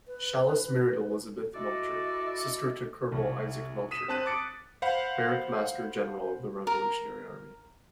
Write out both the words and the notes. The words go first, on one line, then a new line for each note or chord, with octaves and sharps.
Shallus married Elizabeth Melchor, sister to Colonel Isaac Melcher, Barrack-Master-General of the Revolutionary Army.
B4
E4 F#4 A4 D5 D#5
C2
D#6 B6 D#7 E7
C4 A5 F#6 D#7
D6 D#6 A6 C#7 D7
C5 F5 F#5 B5
A#4